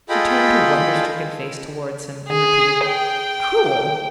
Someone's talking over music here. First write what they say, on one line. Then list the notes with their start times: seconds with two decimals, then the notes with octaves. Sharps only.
She turned her wonder-stricken face towards him, and repeated "Cruel!"
0.09 F4 G#4 A4 D#5 G5 B5
2.28 G#4
2.85 G5